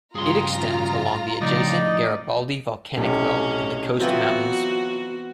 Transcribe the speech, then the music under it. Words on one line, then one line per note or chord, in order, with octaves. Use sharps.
It extends along the adjacent Garibaldi Volcanic Belt in the Coast Mountains.
G2 C#3 F4 G#4 A#5 C6
C#2 A2 F3 D#4 E4 D5 D#5
B1 A2 C3 C#4
E3 F#3 B3 C4 F4 F#4 F#7